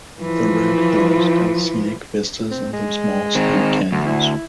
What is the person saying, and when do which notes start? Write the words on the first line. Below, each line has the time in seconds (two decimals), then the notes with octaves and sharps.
The Red Hills have scenic vistas and some small steep canyons.
0.22 E3 F3
2.51 C4
2.73 G#3
3.35 D#3 C4
3.92 D2
4.06 E4